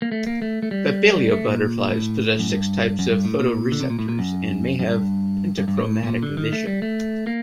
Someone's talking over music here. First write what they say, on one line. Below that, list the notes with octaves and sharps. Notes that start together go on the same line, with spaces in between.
Papilio butterflies possess six types of photoreceptors and may have pentachromatic vision.
A#3
A3
A#3
A3
A3
G3
A3
A#2
A2
F#2
G2
F#2
G2
A2
A#2
D3
C3
A#2
A2
A#2
F#2
F#2
G2
G2
G2
A2
A2
A#2
D3
D#3
A3
G3
A3
A#3